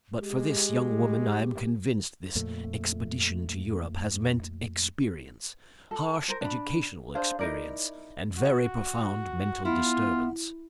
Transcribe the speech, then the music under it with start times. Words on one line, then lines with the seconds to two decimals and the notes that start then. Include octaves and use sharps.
But for this young woman I am convinced this expedition to Europe has meant experience, harsh educational experience and very profound mental disturbance.
0.19 G#3 G4
2.35 F2 A#2 A3
5.91 A4
6.28 A#4 C5
6.41 D4 B5
7.15 D4 G#4 C5 F5
7.39 D#4 E4 A#4 D5
8.38 F#4
9.65 B3 E4 F4